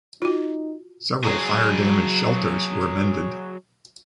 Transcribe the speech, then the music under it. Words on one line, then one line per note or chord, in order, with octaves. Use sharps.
Several fire-damaged shelters were mended.
D#4 F4 F#4
F#3 G#4